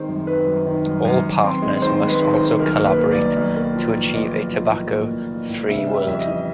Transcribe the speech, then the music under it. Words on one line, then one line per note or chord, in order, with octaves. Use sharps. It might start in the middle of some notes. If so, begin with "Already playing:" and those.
All partners must also collaborate to achieve a tobacco-free world.
Already playing: D#3 G#3 C4 C5
F#2
D#3 B4
F#2
D#3
F#2
F#2
F#2
C4
G#3
D#3 C5
G#3
B4
D#3
C5
D#3
B1 A#4
A#3
B4
A#3
D5
B1
B1
A#3
F3
A2
F3 D#5
B1
F3
A2
A#3
A2
A#3
A2
C#3 E5
G3
E5
F2 E5
D#5
E3